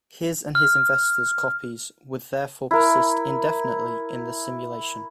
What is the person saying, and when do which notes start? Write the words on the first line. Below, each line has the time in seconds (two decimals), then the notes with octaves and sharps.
His and his investors' Copies would therefore persist indefinitely in the simulation.
0.55 F6
2.71 E4 A#4